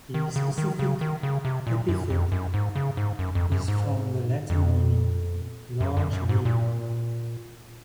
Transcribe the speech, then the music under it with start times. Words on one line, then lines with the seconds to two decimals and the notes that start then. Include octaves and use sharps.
The specific epithet is from the Latin meaning "large leaved".
0.14 D#3
0.36 C#3
0.58 D#3
0.79 C#3
1.01 D#3
1.23 C#3
1.45 C3
1.67 A#2
1.89 F#2
2.10 F2
2.32 F#2
2.54 G#2
2.76 C#3
2.97 G#2
3.19 F#2
3.35 F2
3.52 F#2
3.68 G#2
4.50 F2
5.80 F#2
5.97 F#2
6.13 F#2
6.29 G#2
6.45 A#2